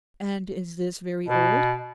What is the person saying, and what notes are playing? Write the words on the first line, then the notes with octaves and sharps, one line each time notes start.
'And is this very old?'
B2